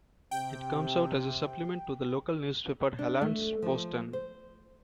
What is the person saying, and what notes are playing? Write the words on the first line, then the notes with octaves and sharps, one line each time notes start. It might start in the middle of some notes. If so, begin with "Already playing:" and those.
It comes out as a supplement to the local newspaper Hallandsposten.
C3 G5
D4
A3
F3
C5